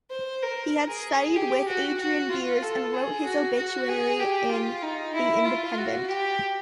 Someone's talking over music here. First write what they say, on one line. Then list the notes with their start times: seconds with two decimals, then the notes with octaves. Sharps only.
He had studied with Adrian Beers and wrote his obituary in "The Independent".
0.10 C5
0.42 A#4
0.89 G#4
1.36 G4
1.68 F#4
1.99 F#4
2.30 F4
2.62 A4
2.94 G#4
3.25 F#4
3.56 F#4
3.88 G#4
4.19 G4
4.51 F4
4.82 D#4
5.14 E4
5.45 F4
5.78 F#4
6.08 G4